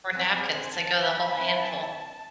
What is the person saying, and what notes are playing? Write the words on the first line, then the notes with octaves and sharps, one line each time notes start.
Or napkins, they go the whole handful.
C4 G#4 C5 G#5
A5
B5
C4 E4 B4 E5 G#5
A5